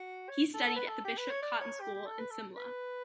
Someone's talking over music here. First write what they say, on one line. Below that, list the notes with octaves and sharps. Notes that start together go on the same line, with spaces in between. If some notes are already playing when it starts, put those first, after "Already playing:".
He studied at the Bishop Cotton School in Simla.
Already playing: F#4
C#5
A4
A4
B4
A4
G4
B4
C#5
D5
C#5
G4
G4
A4
B4
A4
B4